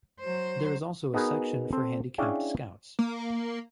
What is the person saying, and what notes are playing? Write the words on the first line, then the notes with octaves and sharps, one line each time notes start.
There is also a section for handicapped Scouts.
F#3 C5
B3 D#4 F#4 G#4 A#4 B4
C4 A4 C5
C#4 D4 E4 G#4 F5 G5
A#3